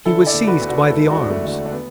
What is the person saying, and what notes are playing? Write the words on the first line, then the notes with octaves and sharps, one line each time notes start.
He was seized by the arms.
D3 E4 A4
A4 D5
D2
F#4 B4
D2
D4 F#4
E1 E4 A4
D4 F#4
E1
A3
D3
D4
B3